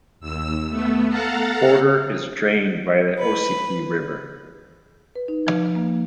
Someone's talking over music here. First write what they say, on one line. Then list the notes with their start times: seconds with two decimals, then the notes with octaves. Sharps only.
Porter is drained by the Ossipee River.
0.20 D#2 E6
0.69 A3 B3
1.09 A4 F5 F#5 A5 A#5
3.18 B4
5.16 B4
5.28 D#4
5.47 F3
5.75 A#3